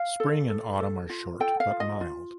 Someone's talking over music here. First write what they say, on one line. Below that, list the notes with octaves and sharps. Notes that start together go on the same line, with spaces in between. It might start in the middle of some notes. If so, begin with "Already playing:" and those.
Spring and autumn are short but mild.
Already playing: F5
A4
A4
A4
F4
A4 G5
F5
F4
D#5
F4